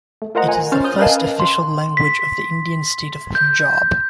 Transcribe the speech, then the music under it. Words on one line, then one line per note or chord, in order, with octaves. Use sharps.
It is the first official language of the Indian State of Punjab.
A3
F4 A#4 C5 D#5 F#5 A#5
G#5
C#4 C5 C#5 F6 A6
D#6 F6 G6
A#4 B4 D#5 F5 G#5 A5
C6
B6
G6